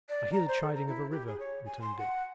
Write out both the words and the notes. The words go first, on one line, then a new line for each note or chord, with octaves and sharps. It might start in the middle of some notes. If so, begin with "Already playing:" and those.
"I hear the chiding of a river," returned Dick.
D5
A#5
C5
A4
A#5
E4
G4
G#4
C#5
G#5
C6
F#5